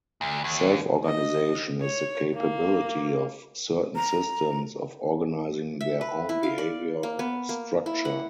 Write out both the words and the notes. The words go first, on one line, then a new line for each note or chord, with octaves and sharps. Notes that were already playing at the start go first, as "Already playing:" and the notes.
Self-organization is the capability of certain systems "of organizing their own behavior or structure".
D2
D#2
D#5
C#5
A#3
A#5
E5
B4
E4
F5
D5
A#3
B3
A#3
E4
F#5